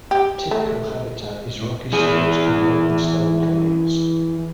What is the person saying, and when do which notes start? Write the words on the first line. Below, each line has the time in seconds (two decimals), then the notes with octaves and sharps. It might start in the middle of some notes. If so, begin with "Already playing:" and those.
Typical habitat is rocky slopes and open stone plains.
0.11 G4
0.51 A3
1.93 E3 G#4